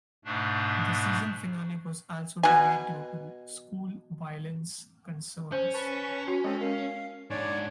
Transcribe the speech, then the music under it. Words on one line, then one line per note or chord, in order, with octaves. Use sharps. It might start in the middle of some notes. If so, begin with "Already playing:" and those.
The season finale was also delayed due to "school violence concerns".
G#2 B2 A3 D4
B2 G#5
C#4 C5
B4 A5 C#6
F#4
G#3 C4 A4
A#4 F5
G#2 D4 C#5 D5